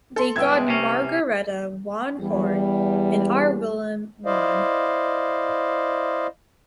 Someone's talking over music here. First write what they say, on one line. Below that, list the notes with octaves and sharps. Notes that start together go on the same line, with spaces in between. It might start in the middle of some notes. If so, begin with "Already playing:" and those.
They got Margaretha van Horne and our Willem van Horne.
A4 C6
C2 B3 G5 E6 G#6
G#3
C3 C#4
E2 G3
E4 C5 D5 D#5 F5